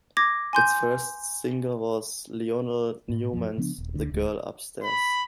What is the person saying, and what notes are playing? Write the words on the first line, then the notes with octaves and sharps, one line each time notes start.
Its first single was Lionel Newman's The Girl Upstairs.
D6 G#6 A#6
G#5 C6 G6
A2
F#2 F3
C#3 F3 B3 D4
D#1
D2 D3
D1 D2 D#3 G#3
B5